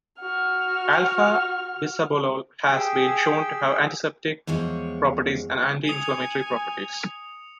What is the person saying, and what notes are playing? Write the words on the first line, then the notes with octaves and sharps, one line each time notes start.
Alpha-bisabolol has been shown to have antiseptic properties and anti-inflammatory properties.
F#4 F6
G4 G#4 G5 E6
E2 F3 G#3 C#5
G#5 D#6 C#7 F7